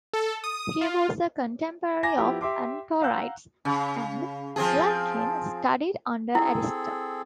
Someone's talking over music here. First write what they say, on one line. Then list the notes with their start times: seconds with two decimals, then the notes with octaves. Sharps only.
He was a contemporary of Antorides, and, like him, studied under Ariston.
0.13 A4
0.44 D#6
0.81 F4
2.03 G#5 A#5 D6 A#6
2.17 F3 B3 E4 G4
2.41 G4 E5 C6 D6
3.02 F5 F#5 A#5 E6 F#6 G6
3.65 C#3
4.56 F3 C4 G#4
6.35 C4 E4 G#4 A4